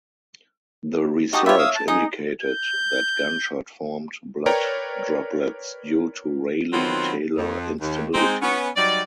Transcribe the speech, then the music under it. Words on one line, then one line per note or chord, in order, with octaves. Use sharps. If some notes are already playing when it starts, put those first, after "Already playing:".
The research indicated that gunshot formed blood droplets due to Rayleigh–Taylor instability.
D#4 F#4 G4 A5 D#6
E4 F4 G4 C#5 E5
F5 D#6 E6
A5
D#4 G#4 D#6
G6
A#4 B4 C#5 D5 G5 A#5
D#3 F#3 B3 C4 E4 F4
F2
D#2
G#3 C4 D#4
B3 C#4
F#3 G3 D#4 D5